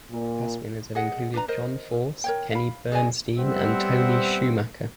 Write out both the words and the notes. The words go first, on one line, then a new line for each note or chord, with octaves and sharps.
Past winners have included John Force, Kenny Bernstein, and Tony Schumacher.
A#2
G#4 D#5 F#5
D4 B4 A#5
A#4 C5 D#5
A#4 C#5 G5
F5 B5
G#4 D5 D#5 G#5
G3 B3 C4 C5 E5 F#5